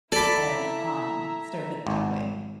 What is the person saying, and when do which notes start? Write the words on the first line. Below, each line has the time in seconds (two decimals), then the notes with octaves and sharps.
and, um, serve it that way.
0.12 E4 A4 D5 E5 A#5 B5
1.87 G#1